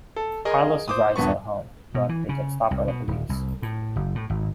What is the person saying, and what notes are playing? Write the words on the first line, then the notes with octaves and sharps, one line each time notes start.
Carlos drives her home, but they get stopped by the police.
A4
G#4 A#4 D#5
C5 D6 D#6
D#1 G2 B3 C#6
B2
E3
C#3
C2
B2
D#1
C2
A2
F#1
A2
G#1